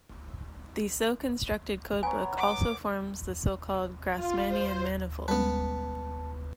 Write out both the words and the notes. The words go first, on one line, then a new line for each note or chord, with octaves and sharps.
The so-constructed codebook also forms the so-called Grassmannian manifold.
B3 C#5 G#5 A#5
F#5 D6
F4
C5
G3 G#3 B3 C#4 B4 A5